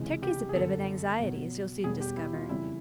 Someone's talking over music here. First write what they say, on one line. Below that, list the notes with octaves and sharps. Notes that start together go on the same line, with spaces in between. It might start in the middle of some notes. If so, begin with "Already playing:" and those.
Turkey's a bit of an anxiety, as you'll soon discover.
Already playing: C#2 C3 E3 G#3
G4
G#4
G1 F#2 D3 A4
B1 B2 F#3
E1 E2 B2 G3 G#4
G4
E4
F4
F2 C#3 E3 G3 E4